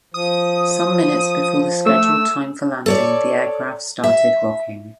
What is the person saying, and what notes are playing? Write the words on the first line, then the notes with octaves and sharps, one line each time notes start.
Some minutes before the scheduled time for landing the aircraft started rocking.
F3 D#6
A3 E6
A4 C#5 D5
E5